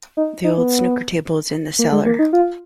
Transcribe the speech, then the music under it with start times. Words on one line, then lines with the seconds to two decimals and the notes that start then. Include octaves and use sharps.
The old snooker table is in the cellar.
0.17 D#4
0.44 D#4
0.58 B3
1.79 A#3
1.92 G#3
2.06 A#3
2.19 D#4
2.33 F4